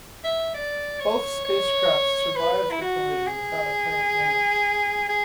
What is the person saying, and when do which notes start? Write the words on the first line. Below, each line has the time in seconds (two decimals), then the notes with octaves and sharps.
Both spacecraft survived the collision without apparent damage.
0.24 E5
0.55 D5
1.00 C#5
1.45 C#5
2.36 B4
2.71 E4
2.81 F#4
3.27 G#4
5.09 G#4